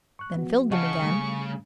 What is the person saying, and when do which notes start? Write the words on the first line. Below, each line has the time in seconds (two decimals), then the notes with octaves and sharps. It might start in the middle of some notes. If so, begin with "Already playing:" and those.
Then filled them again.
0.19 C#6 F#6
0.35 F3 B3 F#4
0.71 C#3 D#5 F#5 A5 C#6
1.01 G3 A3